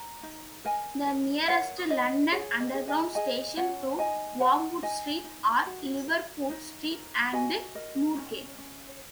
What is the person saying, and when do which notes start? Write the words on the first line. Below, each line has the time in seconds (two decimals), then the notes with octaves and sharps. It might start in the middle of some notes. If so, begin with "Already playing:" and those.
The nearest London Underground stations to Wormwood Street are Liverpool Street and Moorgate.
Already playing: A#5
0.23 D#4
0.65 A#4 D#5 G#5
1.07 A#4
1.48 A#4 C#5 F#5
1.90 D#4 D#5
2.32 G#4 C#5
2.60 D#5
2.74 G#4
2.88 D#5 G#5
3.15 G#4 D#5 G#5
3.57 C#4 C#5 F#5
3.99 D#4 D#5 G#5
4.41 A#4 F#5 A#5
4.82 D#4 D#5 G#5
5.24 D#4
5.66 F#4
6.08 A#4
6.50 D#4
6.91 A#4
7.33 F#4 D#5 G#5
7.75 A#4 D#5
8.17 C#4
8.58 C#4